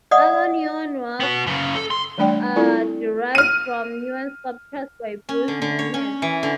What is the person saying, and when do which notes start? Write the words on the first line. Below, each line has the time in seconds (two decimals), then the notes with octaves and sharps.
Other neon works are derived from neon sculptures by Bruce Nauman.
0.11 D5 D#5 F#5 D#6
1.20 B3 F#4
1.47 F#2 C#3
1.75 A4
1.91 C6
2.18 E3 G3 A3 D4 D5 G5
2.56 C4 E4 F4 A4 D5 G#5
3.35 F6 D#7
5.29 C#4
5.48 D3
5.62 D3
5.79 C#5
5.94 C#4
6.22 E3
6.43 D3